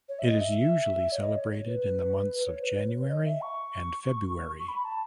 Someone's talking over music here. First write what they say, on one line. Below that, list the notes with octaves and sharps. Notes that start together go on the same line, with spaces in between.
It is usually celebrated in the months of January and February.
C#5
E5
D#5
E5
C#5
D#5
C#5
C#5
B4
C#5
B4
C#5
B4
C#5
D#5
E5
C#6
C#6
B5
A5